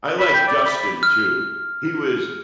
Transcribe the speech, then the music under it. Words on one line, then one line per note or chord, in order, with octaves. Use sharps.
I like Dustin too. He was
B5
G5
D5
B5
F6